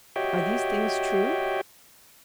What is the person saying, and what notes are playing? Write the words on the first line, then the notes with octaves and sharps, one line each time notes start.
"Are these things true?"
F#4 G4 C#5 D#5 E5 G5